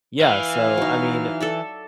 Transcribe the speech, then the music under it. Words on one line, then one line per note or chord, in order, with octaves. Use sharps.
Yeah, so, I mean,
E3 F5
F#3 D#4
A4 D5 E5